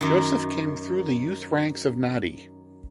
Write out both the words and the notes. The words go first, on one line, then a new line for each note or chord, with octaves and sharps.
Joseph came through the youth ranks of Nadi.
F#2 D#3